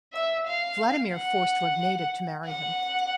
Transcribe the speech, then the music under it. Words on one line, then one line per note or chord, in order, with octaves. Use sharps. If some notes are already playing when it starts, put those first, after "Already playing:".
Vladimir forced Rogneda to marry him.
E5
F5
F#5
F#5